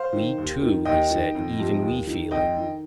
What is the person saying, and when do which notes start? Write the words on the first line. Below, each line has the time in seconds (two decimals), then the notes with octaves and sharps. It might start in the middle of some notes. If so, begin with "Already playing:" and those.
"We, too," he said, "even we feel it."
Already playing: C5 F5
0.13 D#3
0.38 D#2
0.62 D#3
0.85 D#2 D#5 G5
1.11 D#3
1.35 F2
1.59 C3 F3
1.82 D#2
2.07 D#3
2.31 F2 D#5 G5
2.56 D#3